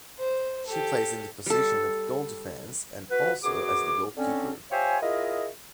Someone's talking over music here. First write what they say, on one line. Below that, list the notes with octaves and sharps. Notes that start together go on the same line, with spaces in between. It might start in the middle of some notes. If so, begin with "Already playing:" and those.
She plays in the position of goal defense and also as the goal keeper.
C5
G4 A4
G3 A4
F#4 B4
F#2 B3 F#4 G#4 D6
D3 C4 C#4
F4 G4 C5 C#5 E5 G#5
E4 F4 G#4 A#4 D#5